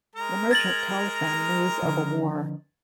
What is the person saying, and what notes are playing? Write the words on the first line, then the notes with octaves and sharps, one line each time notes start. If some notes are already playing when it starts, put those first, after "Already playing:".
The merchant tells them news of a war.
G#3 A#4 A#5
G#6 A6 F#7
D3 F3